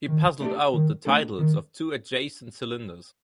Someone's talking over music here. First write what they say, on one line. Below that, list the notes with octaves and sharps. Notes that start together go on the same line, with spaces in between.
He puzzled out the titles of two adjacent cylinders.
D#3
A3 D4 G4
D#3
A3 D4 A4
D#3